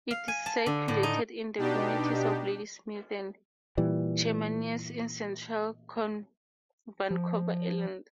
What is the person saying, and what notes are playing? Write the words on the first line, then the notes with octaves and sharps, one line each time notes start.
It is circulated in the communities of Ladysmith and Chemainus, in central Vancouver Island.
F5
G#5
A5
D3
A2
D#4
B2 D4 D#4 G4
A#2 E3 G3
F3